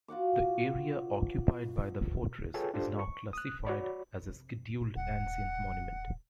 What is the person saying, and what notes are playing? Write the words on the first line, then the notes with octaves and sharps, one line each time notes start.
The area occupied by the fortress is now classified as a Scheduled Ancient Monument.
F4 F#4 F#5 D6
F4 G#4 A4 B4 C#5 G5
D4 F4 G4 A4 C5
C#6
D#6 F#6
F#4 C#5 D5 B5
F2 C3
D#1 F#2 F#5